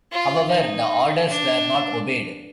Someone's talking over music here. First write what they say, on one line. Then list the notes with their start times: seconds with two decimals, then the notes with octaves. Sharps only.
However, the orders were not obeyed.
0.12 F4
0.51 D#4
1.27 D4